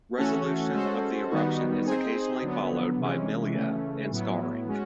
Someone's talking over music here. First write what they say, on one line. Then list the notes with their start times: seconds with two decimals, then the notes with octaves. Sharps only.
Resolution of the eruption is occasionally followed by milia and scarring.
0.17 E3 A3 C#4 F#4 A4
0.73 G#3 C#4 F#4 A4 C5
1.30 D#3 G3 B3 D#4 F#4
1.85 C4 D#4 G#4 C5
2.42 D3 F#3 B3
2.98 C3 E3 G#3 C#4
3.54 C#3 E3 A3 C#4
4.11 A2 F#3 B3 E4
4.67 G#3 C#4 F#4